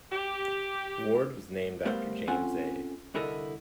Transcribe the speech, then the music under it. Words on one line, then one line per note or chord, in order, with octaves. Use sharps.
Ward was named after James A.
G4
G3 A3 B3 A#4 C5 F5
C4 C#4 F4 A4 F#5 G#5
C2 D3 E4 A4 A#4 D#5